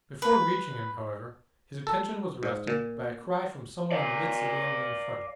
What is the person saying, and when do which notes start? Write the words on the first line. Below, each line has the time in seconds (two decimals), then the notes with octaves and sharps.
Before reaching him, however, his attention was arrested by a cry from some one in the midst of the enemy in front.
0.22 B4
1.87 A4
2.43 G#2
2.67 A#2
3.92 D5 F5